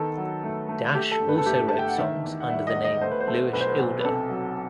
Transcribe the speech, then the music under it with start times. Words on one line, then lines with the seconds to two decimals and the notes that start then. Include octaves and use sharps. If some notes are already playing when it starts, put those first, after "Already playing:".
Dash also wrote songs under the name Lewis Ilda.
Already playing: D#3 B3 A4
0.17 F#3
0.44 A3
0.69 A3
0.95 A3 G4
1.12 A4
1.20 G1
1.29 B4
1.38 A4
1.46 A3 G4
1.54 A4
1.69 A3 A5
1.79 G5
1.88 F#5
1.98 D#3 E5
2.24 E2
2.40 F#5
2.50 G3 E5
2.67 D#5
2.75 E2
2.84 D#5
3.01 A3 C5
3.11 B4
3.20 C5
3.28 A3
3.53 B1 B4
3.60 C5
3.69 B4
3.79 B1
4.01 B4
4.05 C3 A4
4.30 F#3